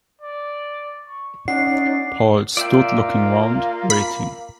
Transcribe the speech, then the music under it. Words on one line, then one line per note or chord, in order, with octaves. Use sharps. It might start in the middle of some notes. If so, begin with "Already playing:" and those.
Paul stood looking round, waiting.
D5
C#6
C#4 D#4 D5 F#5 C7
A#3 F4 D5 E5 G5
B5